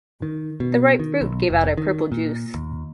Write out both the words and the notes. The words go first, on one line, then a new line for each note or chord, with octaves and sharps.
The ripe fruit give out a purple juice.
D#3
B2
D#3
B1
F1
D#3
A#2
D#2